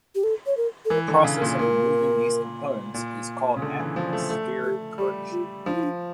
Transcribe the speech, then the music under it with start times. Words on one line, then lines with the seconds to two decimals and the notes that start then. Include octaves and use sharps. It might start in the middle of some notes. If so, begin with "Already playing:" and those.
The process of removing these components is called atmospheric correction.
0.15 G4
0.23 A4
0.46 C#5
0.57 A#4
0.85 A4
0.90 E3 A#4
1.08 D3
1.24 C#3
1.37 A#4
1.42 A#2
1.59 A#2 A#4
2.94 A#2
3.56 C#3
3.62 D3
3.79 E3
3.96 F3
4.13 A3
4.30 A3
4.64 G4
4.98 G3 G4
5.32 F4
5.66 F3 D4
5.74 E4
5.83 D4